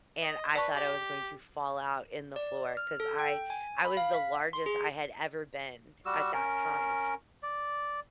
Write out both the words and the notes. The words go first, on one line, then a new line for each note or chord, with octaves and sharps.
and I thought I was going to fall out in the floor 'cause I I was the largest I had ever been, at that time,
D#5
B4 D5 A5 C#6
G4
D5
F6
A4
G5
G#5
B5
F5
B6
C6
G#4
G3 F#4 E6
C#4 A#4
D5